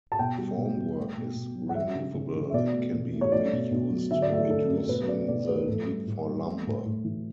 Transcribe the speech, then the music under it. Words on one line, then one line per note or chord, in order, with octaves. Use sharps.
Formwork is removable and can be reused, reducing the need for lumber.
A5
B2 G5
G3
B2
G3
A3
B2
B2
F#3
F#5
G3 E5
C#3
C#3
E3
E5
B2 D5
A3
B2
A3
C#5
A3 D5
B2
B2
F#3
D3 E5
D5
A3 E5
D3 A4
A3
A4
B2 B4
A3 D5
B2 D5
A3 B4
A2 A4
G3
A2
G3
A3
A2
A2
E3